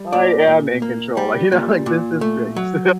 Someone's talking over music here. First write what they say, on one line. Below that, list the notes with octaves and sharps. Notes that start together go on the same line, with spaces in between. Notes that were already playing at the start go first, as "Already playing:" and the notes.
I am in control," like, you know, like, "This is great," so
Already playing: G3
A#2 D5
A#2
A#3
G3
A#2
A#2
A3
F#3